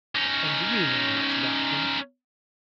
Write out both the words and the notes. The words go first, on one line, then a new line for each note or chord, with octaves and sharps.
"And do you know much about them?"
C#4 D#4